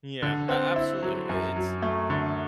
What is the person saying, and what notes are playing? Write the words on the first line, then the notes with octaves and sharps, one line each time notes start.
Yeah, a absolutely, i it's,
D3
C4
E4
F#3
F#2
F#3
A3
D3